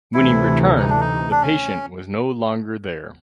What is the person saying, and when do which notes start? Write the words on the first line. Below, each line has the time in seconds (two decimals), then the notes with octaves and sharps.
When he returned the patient was no longer there.
0.14 D2 C3 E3 A3 E4
0.79 D#4
0.89 D4
1.01 D#4
1.31 D4
1.41 C#4